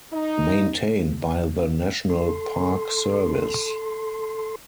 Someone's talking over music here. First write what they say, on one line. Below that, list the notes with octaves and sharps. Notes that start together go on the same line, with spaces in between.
Maintained by the National Park Service.
D#4
A4 C6